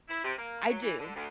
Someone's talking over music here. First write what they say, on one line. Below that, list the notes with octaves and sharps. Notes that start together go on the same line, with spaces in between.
I do.
E4
C3
A#3
F#3
E3
D3
D2